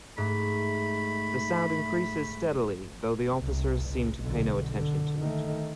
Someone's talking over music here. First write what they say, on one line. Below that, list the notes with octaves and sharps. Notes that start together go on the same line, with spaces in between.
The sound increases steadily, though the officers seem to pay no attention to it.
G#2 A3 B5
C2
C#2
B1 D3
D3
D#3 A3